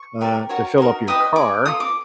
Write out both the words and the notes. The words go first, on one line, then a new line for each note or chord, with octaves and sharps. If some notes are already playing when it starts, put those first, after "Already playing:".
uh, to fill up your car,
Already playing: C#6
G4 A#4 D5
F#4 A#4 C#5
D#4 F#4 A#4
E4 G4 B4 D#5 D#6
G#4 C#5 D6
F4 A4 D#6
D6